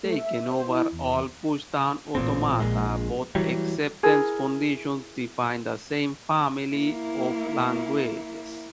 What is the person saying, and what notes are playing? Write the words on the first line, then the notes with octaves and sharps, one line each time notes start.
Taken over all pushdown automata both acceptance conditions define the same family of languages.
A3
E5
C5
E4
E2
A1 A#2 C4
A#1 D#2 A#2 G#3
E3 F#3 G3
E4 G#4 A#4
A#3 E4